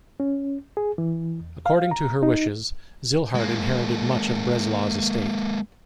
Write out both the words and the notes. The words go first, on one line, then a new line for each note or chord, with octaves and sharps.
According to her wishes, Zillhardt inherited much of Breslau's estate.
C#4
G#4
E3
E2
F5
A#5
D#4
G#3 A#3